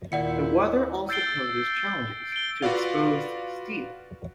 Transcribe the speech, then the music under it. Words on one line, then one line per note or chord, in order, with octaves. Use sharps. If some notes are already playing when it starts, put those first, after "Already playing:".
The weather also poses challenges to exposed steel.
D#2 A#2 E4 D5 F#5 G6 C#7
E6 G6 A6 C7 D7 G7
D7 G7
F4 F#4 B4 D5 F5